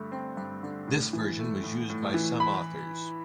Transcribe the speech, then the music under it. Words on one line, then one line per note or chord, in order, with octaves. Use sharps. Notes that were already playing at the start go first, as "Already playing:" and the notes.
This version was used by some authors.
Already playing: G2 D3 A3
C4
G2
D3
A2
E3
A3
A2
A2
E3
B5